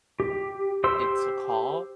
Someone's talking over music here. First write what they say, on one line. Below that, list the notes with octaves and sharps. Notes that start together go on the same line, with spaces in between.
it's a call,
G4
G4 C5 C6 E6